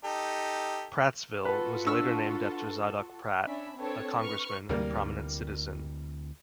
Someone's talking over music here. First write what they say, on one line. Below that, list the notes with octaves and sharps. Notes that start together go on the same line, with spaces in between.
Prattsville was later named after Zadock Pratt, a congressman and prominent citizen.
D#4 G4 A4
F4 F#4 A4 B4
D4 C#6 E6 F6
C#4 D4 E5 B5
C4 D4 A4 B4 C#5
B4 C#6 F6
D2 C3 E3 G3 A#3